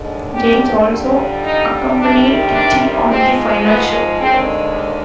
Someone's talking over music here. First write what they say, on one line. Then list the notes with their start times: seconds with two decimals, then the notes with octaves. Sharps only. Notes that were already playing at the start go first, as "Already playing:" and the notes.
James also accompanied Kitty on the final show.
Already playing: D#2 D3 G#3
0.32 G4
0.88 F2 D3 G3
1.44 D#4
1.99 D2 C3 D#3 G3 D4
2.55 D4
3.10 G#2 F3 G#3 C4
3.65 B3
4.21 D#2 D3 G#3 C4